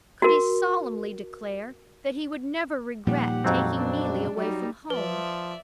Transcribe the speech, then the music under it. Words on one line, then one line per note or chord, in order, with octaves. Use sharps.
Could he solemnly declare that he would never regret taking Neelie away from home?
F#4 A#4
D#2 A#2 F3 G3 G4 F#5
F2 G#2 F#3 C4
F#2 D4 D5
F#3 G3 D#4
F3 B4 D5 E5